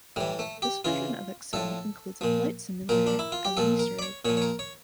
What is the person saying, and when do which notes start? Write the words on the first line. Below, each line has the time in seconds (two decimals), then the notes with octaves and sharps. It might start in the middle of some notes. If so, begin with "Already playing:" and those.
This version of Excel includes a flight simulator as an Easter Egg.
0.16 A2 E3 G3
0.39 A3
0.62 G4
0.85 C#3 E3 F4
1.53 A2 F3 A4
2.21 A#2 F3
2.89 A#2 F3 A#4
3.07 D4
3.19 E4
3.32 F4
3.45 G4
3.57 A#2 F3 A4
3.79 A#4
3.99 D5
4.02 C#5
4.25 A#2 C#5
4.29 F3
4.37 C#5
4.42 A#4
4.59 C#5